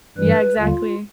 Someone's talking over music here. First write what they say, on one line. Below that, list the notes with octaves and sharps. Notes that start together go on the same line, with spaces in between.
Yeah, exactly.
G2 E3 G3 B4
D#2 D3 G3 A#3 F4